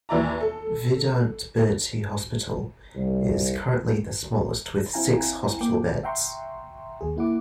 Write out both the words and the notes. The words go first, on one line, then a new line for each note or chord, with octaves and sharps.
Vidant Bertie Hospital is currently the smallest, with six hospital beds.
D#2 E3 E4 D5 A#5
A4
C2
C4 E4 F5 G5 G#5 A#5
A#3 G5 D6
E5 F#5 G5 A#5 C6 C#6
D#2 G#4
A#3 E4 F#5 D6